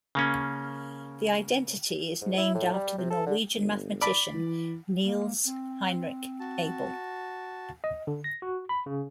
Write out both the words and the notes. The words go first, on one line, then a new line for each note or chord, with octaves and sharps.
The identity is named after the Norwegian mathematician Niels Henrik Abel.
C#3 A#3 C#4
G#2
E4
A2
G3
C3
A4
D3
G1
D5 B5
E3
A#3
C4
F#4 A5
D#5
D3
A#6
F#4
B5
C#3